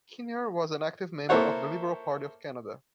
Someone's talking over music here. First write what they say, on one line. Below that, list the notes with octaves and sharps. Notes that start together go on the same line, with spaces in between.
Kinnear was an active member of the Liberal Party of Canada.
A#3 E4 A4 C5 C#5 F#5